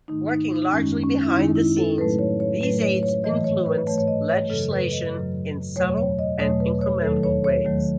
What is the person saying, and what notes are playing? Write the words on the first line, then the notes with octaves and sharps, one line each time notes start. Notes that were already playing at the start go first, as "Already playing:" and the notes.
Working largely behind the scenes, these aides influenced legislation in subtle and incremental ways.
G#2 D#3 A3 D#4
D#4
D#4
F#2 D#3 G#3 C#4
C#4
E4
F#2 D#3 G#3 D#4
E4
A4
A2 F#3 A3 B4
C#5
C#5
A2 F#3 A3 B4
C#5
C#5
G#2 E3 A3 D#5
C#5
B4
G#2 E3 A3 C#5
C#5
D#5
C#5
F#2 C#3 F#3 A4
B4
D#5
F#2 C#3 F#3
E2 B2 F#3 A3 C#5
C#5
D#5
E2 B2 F#3 A3 C#5
B4
C#5
D#2 D#3 F#3 A3 A4
C#5
C#5
D#2 D#3 F#3 A3